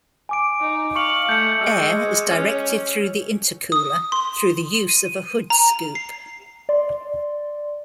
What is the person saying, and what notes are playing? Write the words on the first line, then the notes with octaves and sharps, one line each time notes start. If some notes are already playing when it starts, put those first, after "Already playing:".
Air is directed through the intercooler through the use of a hood scoop.
G#5 D6 D7
D#4
F5 C#6 C#7 F#7
A3 G6 C#7
G#3 E6 F6
C#4
D#6
C6
D#7
A#5
C7
D5 C6